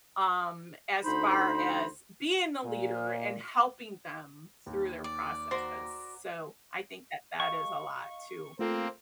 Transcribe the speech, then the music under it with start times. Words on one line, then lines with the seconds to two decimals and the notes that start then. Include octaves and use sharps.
um, as far as being the leader and helping them through their processes. So, I think that that is a lot to,
1.05 D2 D#4 C5 B5
2.64 A#2
4.66 D#2
5.04 D5
5.51 F#4 A#4 C5 C6
7.40 D#5 F5 C#6
8.59 A3 A#3 C4 F4 A4